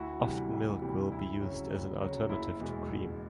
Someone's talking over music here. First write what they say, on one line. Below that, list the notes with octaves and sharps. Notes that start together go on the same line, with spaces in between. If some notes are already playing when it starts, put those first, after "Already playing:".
Often milk will be used as an alternative to cream.
Already playing: D2 E4 F#4
C3 E3 G3
D2
C3 E3 G3
D2 E4
C#3 F#3
D2
C#3 F#3
F#1 E4
E2 B2 G#3
F#1